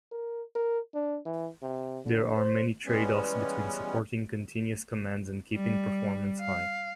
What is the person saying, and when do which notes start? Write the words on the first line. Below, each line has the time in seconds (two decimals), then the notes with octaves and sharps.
There are many trade-offs between supporting continuous commands and keeping performance high.
0.11 A#4
0.55 A#4
0.94 D4
1.25 E3
1.62 C3
2.05 D3
2.36 C5
2.86 E3 G3 G#3 B3 C#4
5.55 G3
6.41 F5